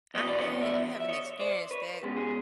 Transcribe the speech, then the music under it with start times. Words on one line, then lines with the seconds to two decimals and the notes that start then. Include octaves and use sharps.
I I ain't I haven't experienced that.
0.14 E2 B2 G3 B3 D#5
0.27 D5
0.39 C#5 D#5
0.61 D5 E5
1.00 E5
1.09 C#5 D#5
1.40 C5 D5
1.71 B4 C#5
2.03 B2 G#3 C#4 G4
2.16 G#4